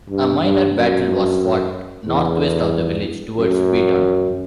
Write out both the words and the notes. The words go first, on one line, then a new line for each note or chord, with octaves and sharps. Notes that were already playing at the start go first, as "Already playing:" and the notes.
A minor battle was fought northwest of the village towards Weedon.
G2
G2
F#2
E2
F#2